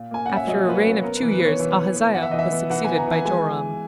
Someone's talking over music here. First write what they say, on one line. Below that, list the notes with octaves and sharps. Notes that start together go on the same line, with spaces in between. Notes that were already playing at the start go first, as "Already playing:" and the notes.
After a reign of two years Ahaziah was succeeded by Joram.
Already playing: A#2
A#3 G#5
C#4 F#5
E5
F#3 D#5
A#3 B4
C#5
C#4
B3 A#4
B4
E3
B4
B3
C#5
E3
E3
B3
E3 F#5
E5
E3 D#5
E5
B3
E3 F#5
B3 G#5
A#5
E3 G#5
G#3 G#5